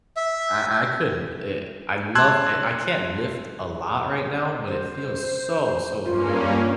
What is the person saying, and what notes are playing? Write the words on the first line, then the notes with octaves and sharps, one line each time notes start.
I I could, eh I love, eh I can't lift a lot right now, but it feels so, so good.
E5
A5 C6 E6 F#6 G#6
C5
G2 A#3 C#4 F4